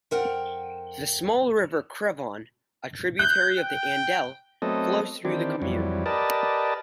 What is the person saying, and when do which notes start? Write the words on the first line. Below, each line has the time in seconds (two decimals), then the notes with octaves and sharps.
The small river Crevon, a tributary of the Andelle, flows through the commune.
0.11 F2 A#4 F#5 G5
3.19 F#6 G6
3.59 G5
4.62 F#3 A3 B3 C4 A4 D#5
5.25 D#3 E3 C4 D4 G4
5.62 F2 E3 F#3 G3
6.06 G4 A#4 B4 D5 D#5 A5